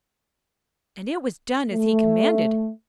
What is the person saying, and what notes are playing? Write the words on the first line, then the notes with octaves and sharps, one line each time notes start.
And it was done as he commanded.
A3